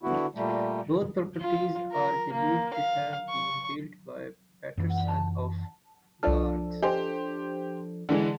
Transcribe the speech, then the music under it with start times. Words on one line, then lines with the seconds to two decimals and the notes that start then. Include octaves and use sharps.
Both properties are believed to have been built by Paterson of Largs.
0.03 D3 B3 E4 F#4
0.35 A#2 G3 A3
1.41 F4
1.92 A#4
2.32 A#3
2.73 F5
3.29 C#6
4.78 F#2 E3
6.23 C2 F3 D4 A4 D5 F6
6.83 G4 C5 D#5 G#5
8.09 D3 E3 G#3